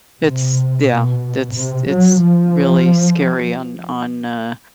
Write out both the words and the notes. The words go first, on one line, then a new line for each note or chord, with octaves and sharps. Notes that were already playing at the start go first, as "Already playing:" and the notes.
It's yeah. It's it's really scary, on on, uh
C3
B2
C3
F#3
F3